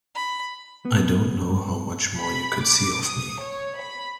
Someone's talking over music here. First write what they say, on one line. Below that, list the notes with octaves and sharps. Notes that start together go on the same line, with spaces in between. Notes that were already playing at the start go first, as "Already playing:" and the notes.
I don't know how much more you could see of me.
B5
B3
G2
B5
D6
D#6
C#5
B5